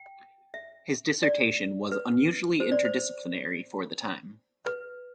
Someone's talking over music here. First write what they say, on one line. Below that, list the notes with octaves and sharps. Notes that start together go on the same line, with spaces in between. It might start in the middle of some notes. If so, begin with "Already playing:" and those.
His dissertation was unusually interdisciplinary for the time.
Already playing: G5
E5
D5
B4
C5
D5
C5
B4